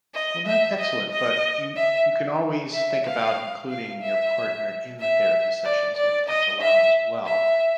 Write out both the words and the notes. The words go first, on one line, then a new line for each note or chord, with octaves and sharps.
Well, that's excellent, but you you can always think about including your partner in the therapy sessions if that's allowed as well,
D#5
E5
D#5
D#5
E5
E5
F5
F5
E5
E5
D5
D5
D#5
E5
E5